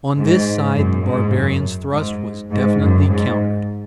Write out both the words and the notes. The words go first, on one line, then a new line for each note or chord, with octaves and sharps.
On this side the barbarians' thrust was definitely countered.
G#2
F#2
G#2
F#2
G#2
G#2
F#2
G#2